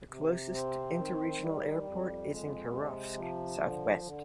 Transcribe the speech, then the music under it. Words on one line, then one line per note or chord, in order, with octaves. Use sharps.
The closest interregional airport is in Kirovsk, southwest.
C3
C4
D#3
G3
F2
G#3
C3
F3
D3
D3